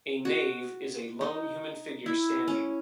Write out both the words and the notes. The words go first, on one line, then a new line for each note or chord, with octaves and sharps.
A Knave is a lone human figure standing.
F#4
D#4
E4
C#4